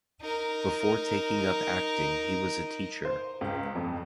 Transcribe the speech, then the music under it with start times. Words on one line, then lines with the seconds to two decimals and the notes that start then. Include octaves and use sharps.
Before taking up acting he was a teacher.
0.21 D#4 A#4
3.05 C5
3.41 C#2
3.75 F2